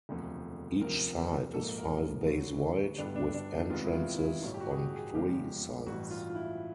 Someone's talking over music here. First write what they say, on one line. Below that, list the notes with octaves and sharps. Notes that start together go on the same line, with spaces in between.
Each side is five bays wide, with entrances on three sides.
E1 D2 C3 F3 A3
D2 C3 F3 A#4
A#1 G#2 F3 A#3 A4
A#4
D2 D3 F#3
G1 G2 D3 G3 B3 D4
D4
D4
D#4
C2 C3 D#3 G#3 B3 F4
E4
F4
E4
A1 G2 D#3 F#3 F4
G4
F#4
G#4
G4
G#4
F1 E2 C#3 F3 G#3 G4
A1 G2 E3 F#4
F4
F4
E4